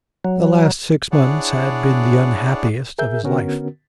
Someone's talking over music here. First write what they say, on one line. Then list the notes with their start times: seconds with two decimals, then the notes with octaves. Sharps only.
The last six months had been the unhappiest of his life.
0.25 F#3
1.12 D4 E4 G#4 C#5 D5 F#5
2.99 G#4 A#4 E5 G6
3.23 D3 B3 C#4 F#4 A#4